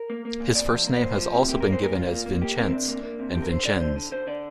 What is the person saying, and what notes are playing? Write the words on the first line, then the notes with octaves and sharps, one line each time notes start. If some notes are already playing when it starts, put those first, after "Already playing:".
His first name has also been given as "Vincenc" and "Vincenz".
Already playing: A#4
A#3
A#3
A#2
C3 D5
F3
A#3
D5
F3 C5
F3
C3
A#3 G4
A#3 A#4
C5
A#2 A#4
A#2 F4
A#3
A#3
A#3 G4
C3 A#4
C4
C3 D4
A#3
A#3
C3
D3 G4
A#4
D3 C5
D3 D5
D3 C5
D3
D3 C5
D3 D5